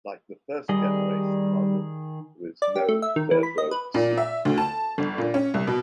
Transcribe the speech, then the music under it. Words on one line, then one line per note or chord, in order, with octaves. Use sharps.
Like the first-generation model, there is no third-row seat.
D#3 G3 G#4 D#5
D5
G4
A3
E5
D#3
E3
B5
D#5
B4
A#2
E5
D2
A5
G1
A#2
C#4
C2
B2